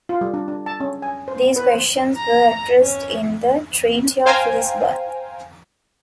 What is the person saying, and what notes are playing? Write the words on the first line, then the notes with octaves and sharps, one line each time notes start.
These questions were addressed in the Treaty of Lisbon.
F4
G3
D4
D4
A5
C#4
G#5
C5
B3
B4
C5
A#5
C#4
C5 F5 G5 G#5 A#5